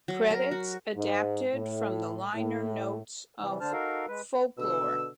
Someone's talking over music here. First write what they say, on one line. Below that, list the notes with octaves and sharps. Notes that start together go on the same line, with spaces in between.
Credits adapted from the liner notes of "Folklore".
F#3
A#4
F#4
G#2
A2
A2
C3 E3 G3
D3 D4 C5 A5 F6
D#4 F#4 A4 A#4 F5
G#3 B4
B2 D3 E6